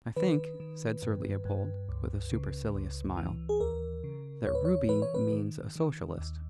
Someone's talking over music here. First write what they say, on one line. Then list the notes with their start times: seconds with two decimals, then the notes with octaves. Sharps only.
"I think," said Sir Leopold, with a supercilious smile, "that Ruby means a Socialist."
0.16 D#3 B4
0.60 D#3
1.02 G2
1.45 G2
1.89 C#2
2.32 C#3
2.74 C#2
3.17 E3
3.49 G#4
3.60 D#2 A#4
4.04 C#3
4.46 D#2 C#5
4.55 B4
4.65 C#5
4.89 E3 B4
5.02 C#5
5.14 B4
5.32 D#3
5.76 D#3
6.18 D#2